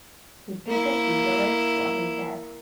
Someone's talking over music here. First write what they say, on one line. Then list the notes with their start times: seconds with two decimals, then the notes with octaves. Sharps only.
He took a cigarette for himself.
0.66 A#3 E4